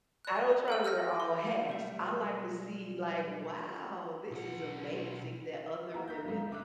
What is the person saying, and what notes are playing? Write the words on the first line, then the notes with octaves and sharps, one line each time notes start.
I don't try to wear all hats. I like to see, like, "Wow. This is amazing that other women,"
D5 F#6
A4 F#5 E6
E6 F6 G6 A#6
C6
B1 G3 A3 E5
B1 F#5
A#3 E4 F#4 A#5
G6 B6
B1 G#2
E5 D6 F#6